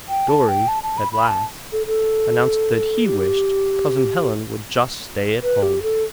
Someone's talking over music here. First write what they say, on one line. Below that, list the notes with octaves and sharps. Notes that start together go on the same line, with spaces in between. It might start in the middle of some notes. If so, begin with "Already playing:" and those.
Dorry, at last, announced that he wished Cousin Helen would just stay at home.
G5
A5
G5
A5
A5
B5
B5
A5
A4
A4
G4
B4
G4
A4